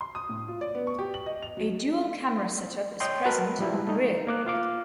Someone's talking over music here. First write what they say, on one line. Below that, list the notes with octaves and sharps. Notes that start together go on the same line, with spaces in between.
A dual camera setup is present on the rear.
C6
D#6
A2
F4
D5
B3
C#6
G4
F#7
D#5
F7
F#3
C#5 D#5 G5 C6
F#4 A#4 B4 A5
F3 G3 E4
A3 D#4
A#3 D6 F#6
F4 F5 D6